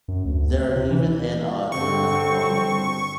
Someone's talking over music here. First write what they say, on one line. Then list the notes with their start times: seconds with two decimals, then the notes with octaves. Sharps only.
There are even and odd Zernike polynomials.
0.08 F#2
0.25 D2
0.76 C3
0.91 E3
1.72 G2 D3 C4 C#6